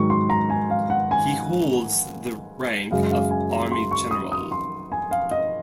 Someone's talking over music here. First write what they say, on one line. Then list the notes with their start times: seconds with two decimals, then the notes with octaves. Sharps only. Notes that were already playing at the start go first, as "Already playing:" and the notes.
He holds the rank of Army General.
Already playing: G#2 D#3 F#3 C#6
0.10 C6
0.30 A#5
0.50 G#5
0.70 F5
0.90 F#5
1.11 G#5
2.91 F#2 C#3 G#3 F5
3.11 F5
3.31 G#5
3.52 A#5
3.72 C6
3.91 C#6
4.11 D#6
4.32 D#6
4.52 C6
4.92 G#5
5.11 F5
5.31 D#5